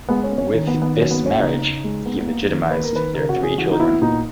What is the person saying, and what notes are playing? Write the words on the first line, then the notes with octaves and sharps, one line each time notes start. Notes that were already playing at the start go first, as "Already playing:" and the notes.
With this marriage he legitimized their three children.
G#3 B3
C#4
B3
C#4
D#3 C#4
B3
D#3
B3
F#3 C#4
B3
A#3
C#4
C#3 D#4
C#3
G#3
B3
A#3
D#3
A#3 B4
A#4
D#3 B4
C#3 A#4
F#4
C#3
G#4
E3 F#4
D#4
B3 E4
A#2 D#4